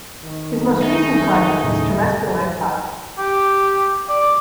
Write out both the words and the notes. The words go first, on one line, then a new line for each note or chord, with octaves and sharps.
His most recent project is Terrestrial Exiled.
D#3
A3 D#4 G#4
D#2 A2 C#3
G4
D5